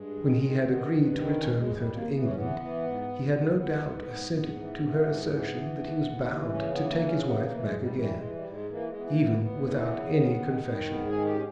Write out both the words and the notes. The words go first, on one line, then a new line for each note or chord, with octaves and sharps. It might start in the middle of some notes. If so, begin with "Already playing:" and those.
When he had agreed to return with her to England he had no doubt assented to her assertion that he was bound to take his wife back again, even without any confession.
Already playing: G2 G#3
D#3
D#3
D#3 B3
G2
D#3
D#2 C#4
G#3
D#2
G3
D#2 G#3
A#3
E3 B3
C#4
E3 B3
E3
G#2
G#2
G#2
A#3
G#2 B3
G#2
G#2
G#2 B3
E3
E3
G#2
E3
E3
D#2
D#2
E3
C#3 C#4
A#3
B3
E3
A#3
C#3
C#4
E3 B3
A#3
E3
G#3
G#2
G3
E3 G3
G#3
E3
G3
G#2
G#3
E3 A#3
G#3
E3 B3
A#3
D#2
B3
A#3
D#2 B3
E3
C#3
D#3
D#3
D#3
G#2 B3
G#4
D#3
G4
C#4